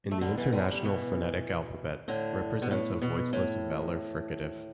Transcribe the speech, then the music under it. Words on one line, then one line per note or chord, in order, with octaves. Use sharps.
In the International Phonetic Alphabet, represents a voiceless velar fricative.
A3
D3 G3
B2 E3
D3 G3
D3 G3
B2 E3
A2 D3
B2
A2
B2
A2